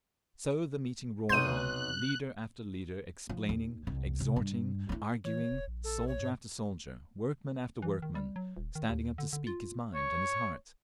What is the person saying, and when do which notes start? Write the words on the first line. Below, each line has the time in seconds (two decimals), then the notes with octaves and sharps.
So the meeting roared on, leader after leader explaining, exhorting, arguing, soldier after soldier, workman after workman, standing up to speak his mind and his heart....
1.29 B1 C3 C6 F#6 G6 D#7
3.29 F3
3.49 D#2
3.87 C2
4.20 C3
4.36 G2
4.89 A3 E4
5.24 E3 C#5
5.51 D#1
5.67 A#1
5.84 A4
6.08 C#5
6.20 G#2
7.82 E3
8.02 D#3
8.15 G3
8.36 F#3
8.57 D#1
8.75 D#3
8.89 D#2
9.18 D3
9.33 D3
9.47 F4
9.94 C#5